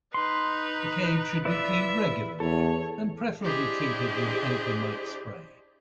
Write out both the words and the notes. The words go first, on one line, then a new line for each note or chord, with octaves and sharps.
The cage should be cleaned regularly, and preferably treated with anti-mite spray.
D#4 B4 C6
E4 F4 B4 D5 E5
E2 A4 C#5
D4 E4 G4 G#4 C5 D#5